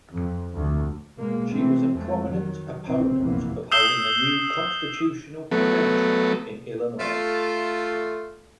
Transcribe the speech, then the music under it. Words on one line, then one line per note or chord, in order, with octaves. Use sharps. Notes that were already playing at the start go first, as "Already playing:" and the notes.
She was a prominent opponent of holding a new constitutional convention in Illinois.
F2
D2
B2 G#3 A#3
E3 A3 C4
F2 G#3 A3
D#3 F#3
A#1 C#3 C4
F1 A#1 F#2 E3 A#3 B3
D#6 E6 G6 C7 E7 G7
F#3 A3 B3
A3 F4